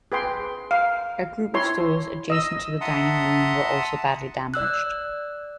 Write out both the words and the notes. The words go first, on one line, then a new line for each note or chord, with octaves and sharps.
A group of stores adjacent to the dining room were also badly damaged.
G#4 B4 G5 C6
F5
E4 C#5 C6
D#5 E6
E5 F#5 A5 A#5 C6 D#6
D5 E6 F#6